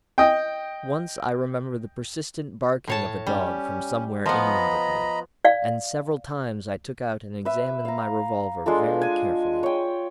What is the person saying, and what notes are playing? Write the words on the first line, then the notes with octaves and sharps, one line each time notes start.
Once I remember the persistent barking of a dog from somewhere inland of me, and several times I took out and examined my revolver very carefully.
D#5 G5
A2 C#5 A5
G3 C#4
F3 B3 D#5 A#5 B5
D5 F5
B4 E5
F5 A#5
G#3 D4 F4 A4
G#5
C#5 G5